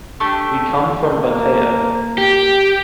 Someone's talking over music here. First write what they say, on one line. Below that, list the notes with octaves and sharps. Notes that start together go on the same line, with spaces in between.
We come from Batea.
A3 D4 G4
A#3
G4